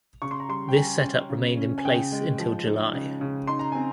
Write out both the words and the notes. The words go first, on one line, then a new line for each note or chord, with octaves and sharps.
This setup remained in place until July.
C#3 C#6
C6
A#5
G3 C6
G5
G3 G#5
C#4
C#3
C#4
G#5
C#3 G5
G#3
F3
D#4
C#3
C#3
D#4 C6
A#5
C4 G#5